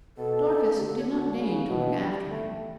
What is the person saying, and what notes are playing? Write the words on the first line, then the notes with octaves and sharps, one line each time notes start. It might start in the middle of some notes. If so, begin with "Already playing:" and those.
Dorcas did not deign to look after him.
B2 A4
C#3
D3 G4
A4
C#5
D3 F#4
C#3
B2 E4
D4
G3
A3